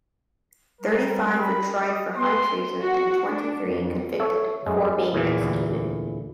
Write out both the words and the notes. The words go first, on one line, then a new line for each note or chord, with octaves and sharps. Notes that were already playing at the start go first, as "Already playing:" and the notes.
Thirty-five were tried for high treason and twenty-three convicted; four being executed.
G3 A#4
B5
D#5
B3 C6
F#4
D4
F2
A4 C#5 E5
F#2 G#3
E2 A#2 E3
D2